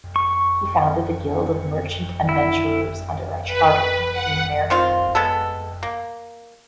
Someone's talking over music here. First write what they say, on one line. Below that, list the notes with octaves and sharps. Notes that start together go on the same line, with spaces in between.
He founded a guild of Merchant Adventurers under a charter from Queen Mary.
C#6
E4
B4
F#5
D#3 C4 F4
G#3 B3 A4
A#3